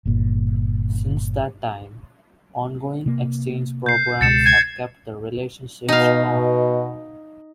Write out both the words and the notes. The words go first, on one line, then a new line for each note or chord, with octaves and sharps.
Since that time, ongoing exchange programs have kept the relationship strong.
G1 A#2
C3 A#3
G6 C7
C#2 B2 G#3 A6 C#7 E7
G#6
B2 D#4 F5